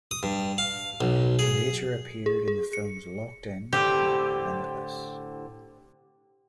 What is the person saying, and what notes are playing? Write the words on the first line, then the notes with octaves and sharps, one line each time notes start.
He later appeared in the films "Locked In" and "Limitless".
D#6
G2
F5
B1
G#4
G#4
G#4
C#7
A2 D3 C4 G4